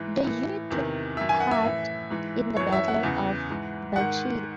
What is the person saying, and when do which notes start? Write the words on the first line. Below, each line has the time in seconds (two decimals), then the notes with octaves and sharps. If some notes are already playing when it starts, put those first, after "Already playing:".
The unit took part in the Battle of Belchite.
Already playing: G#2 E3
0.24 A2 E3
0.71 E2 C3 D#3
1.17 F#2 D#3 E5
1.29 G#5
1.40 F#5
1.51 E5
1.63 A2 E3
2.10 G#2 E3
2.57 F#2 E3 C#5
2.72 E5
2.88 F#5
3.03 E2 C#3 E3
3.50 G#2 E3
3.96 G#2 D#3 F#5